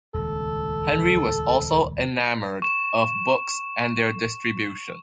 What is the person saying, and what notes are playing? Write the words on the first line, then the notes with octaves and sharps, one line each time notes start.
Henry was also enamoured of books and their distribution.
D#1 C#2 A4
C#6 E7